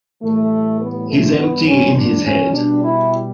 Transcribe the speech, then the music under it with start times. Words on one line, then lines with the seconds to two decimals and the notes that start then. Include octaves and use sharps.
He's empty in his head.
0.22 A2 E3 G3 A3
0.80 B3
1.08 A3
1.37 G2 E3 G3 B3
1.66 C#4
1.94 D4
2.24 C#4
2.52 B2 G3 D4
2.81 E4